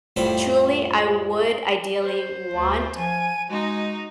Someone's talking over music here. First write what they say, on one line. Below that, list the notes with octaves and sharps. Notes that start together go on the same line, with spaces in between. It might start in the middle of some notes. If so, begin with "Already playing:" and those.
eh, truly, I would ideally want
F2 A2 G3 C4 G5 B5
C5
D2 A3
F3 G#5 D#7
G#3 D#4 F#4